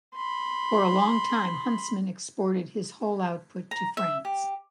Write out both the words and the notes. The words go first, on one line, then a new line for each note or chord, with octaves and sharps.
For a long time Huntsman exported his whole output to France.
B5 C6
A#5
E5
G4